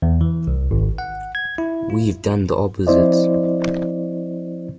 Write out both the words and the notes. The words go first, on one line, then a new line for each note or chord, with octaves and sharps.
We've done the opposite.
E2
E3
C2
G#1
F#5
G#6
E4
F4
F3 C4 E4 C5 D5 D#5